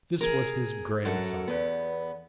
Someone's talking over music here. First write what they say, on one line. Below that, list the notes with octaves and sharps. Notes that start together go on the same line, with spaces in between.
This was his grandson.
G#4 A#4
F#2 F#3 A4 A#4 F#5
E2 B3